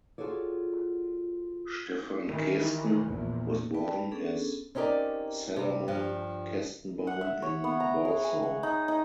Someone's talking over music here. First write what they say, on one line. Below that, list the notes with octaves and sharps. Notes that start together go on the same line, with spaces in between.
Stefan Kesten was born as Salomon Kestenbaum in Warsaw.
F4 F#4 G#4 A4 C#5 D5
D#3 E3
A#1 E2
B4 D5 G5 A5 B5
B3 C#4 D4 G#4 A4
C4 C#4 D#4 G4 A#4 D5
C3 G3
G2 F3
F#5
E5
C#5
B3
A#5
G#4
G#5
F#5
D#4
D#4